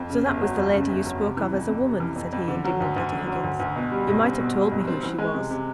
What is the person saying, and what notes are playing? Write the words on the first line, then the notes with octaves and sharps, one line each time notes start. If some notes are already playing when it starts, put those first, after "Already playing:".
'So that was the lady you spoke of as a woman?' said he indignantly to Higgins. 'You might have told me who she was.
Already playing: F2
C#3
G1
F#3
F2
C#3
G1
F#3
C3
E3
F2
F2
C3
E3
F2
F2
D3
F#3
D2
D2
D3
F#3
D2
D2
B2
G3
B1
C4
B2
G3
B1
C4
E3
G#3
C3
C3